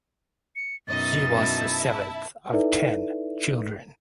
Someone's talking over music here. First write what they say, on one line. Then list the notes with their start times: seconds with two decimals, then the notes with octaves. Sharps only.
She was the seventh of ten children.
0.56 C#7
0.88 F#2 B2 D#4 D#5 E5 A6
1.34 E4 E5 A5
2.53 D#4 E4 A4 B4 D5 E5